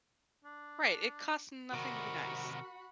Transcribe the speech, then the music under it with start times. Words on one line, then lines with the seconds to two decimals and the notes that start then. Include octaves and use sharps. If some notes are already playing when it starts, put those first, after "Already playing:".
Right, it cost nothing to be nice.
0.44 D4
1.73 C3 D#3 F#4 A#4 F#5 B5